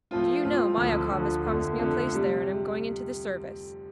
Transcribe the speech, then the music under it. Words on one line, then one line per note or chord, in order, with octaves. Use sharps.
Do you know, Myakov has promised me a place there, and I'm going into the service.
A2 F3 C4 F4
A2 F3 C4 F4
D2 D3 F3
D2 D3 F3
F2 D3 A3
F2 D3 A3
C3 G3